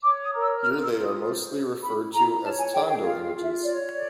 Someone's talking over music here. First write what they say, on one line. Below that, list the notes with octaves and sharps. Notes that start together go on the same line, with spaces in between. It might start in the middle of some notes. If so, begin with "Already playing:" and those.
Here they are mostly referred to as tondo images.
C#5 D6
D#6
A#4
E6
F4 F6
E6
F4
D#6
C5
A4
E4 B5
E4 A#5
C#5 A5
G#5
G#4 G5
G5
F4 F5
F5
F4
E5
C#5 D5
A4 D5